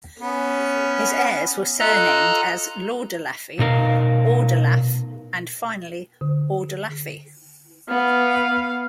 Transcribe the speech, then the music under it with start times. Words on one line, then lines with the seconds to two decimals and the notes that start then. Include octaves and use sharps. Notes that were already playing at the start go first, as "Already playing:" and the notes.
His heirs were surnamed as "Lordelaffi", "Ordelaf" and finally "Ordelaffi".
0.19 B3 C#4
1.80 F4 A4 D#5 A#5 F#6
3.59 B2 D#4 A#4 F5
6.21 D3
7.89 B3 F5